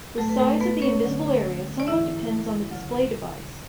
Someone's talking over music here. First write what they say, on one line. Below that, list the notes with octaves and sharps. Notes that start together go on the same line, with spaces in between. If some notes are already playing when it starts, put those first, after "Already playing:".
The size of the invisible area somewhat depends on the display device.
A2 F#3 A3 A4
B4
A3 A4
B3 B4
C#4 C#5
D2 D3 F#3
D5
G#2 E3 E4 E5
D2 C#3 F#3